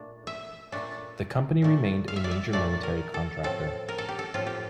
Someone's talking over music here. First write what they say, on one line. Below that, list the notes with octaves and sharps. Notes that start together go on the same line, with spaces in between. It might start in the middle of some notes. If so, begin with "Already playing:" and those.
The company remained a major military contractor.
Already playing: A#2 A3 D4
E5
A#2 A3 D4
A#2 A3 D4
F5
E5
D5
E5
A#2 A3 D4 D5
A#4
A4
A2 F3 C4 A4
A#4
A4
G4
A4
A2 F3 C4 F4
G4